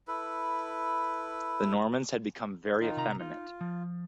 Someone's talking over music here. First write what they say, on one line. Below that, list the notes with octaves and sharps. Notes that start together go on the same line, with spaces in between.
The Normans had become very effeminate.
E4 A4 B4
D#3 D#4 F4
C3 A#5
D#4 F4
F3